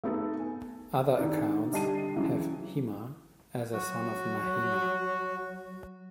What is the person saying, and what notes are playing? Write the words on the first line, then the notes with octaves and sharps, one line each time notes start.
Other accounts have Hema as a son of Mahina.
A3 B3 D#4 A4
G#5
D#3 D4 E4 A4 D5
D3 G3 D#5 A5 C7 D#7
C#3 E3 F#3 G#3
F#3 F#4